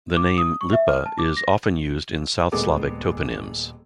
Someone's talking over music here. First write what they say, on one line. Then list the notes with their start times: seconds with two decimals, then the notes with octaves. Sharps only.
The name "lipa" is often used in South Slavic toponyms.
0.17 D6
0.38 D#6
0.61 C#6
0.73 E5
0.88 F6
1.06 A5
1.18 D6
1.37 A#6
2.52 D#1 G#3 B3 G#4 A4 D6